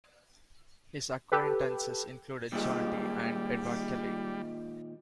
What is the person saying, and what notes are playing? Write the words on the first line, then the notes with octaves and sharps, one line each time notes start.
His acquaintances included John Dee and Edward Kelley.
G4 A4 B4
D#2 A#2 G3 G#3